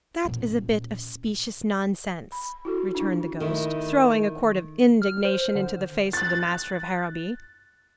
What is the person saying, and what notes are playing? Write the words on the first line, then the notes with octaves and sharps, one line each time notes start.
"That is a bit of specious nonsense," returned the ghost, throwing a quart of indignation into the face of the master of Harrowby.
A#2 C#4
B5
E4 F#4 A4
D4 E4
D#3 A3 E4
F6
C5
D3
F#6 A6